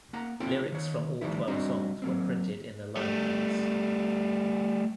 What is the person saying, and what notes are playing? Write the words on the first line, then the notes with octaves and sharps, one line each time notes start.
Lyrics from all twelve songs were printed in the liner notes.
A#3 F#5 A#5
C4 D#4 F4 A4 G5
D#3 C#5
D#3 F3 G3 A3 D#4 E4
G3 C4 D4 D#4 F#4 C5
F#3 A#3 C4
G3 A3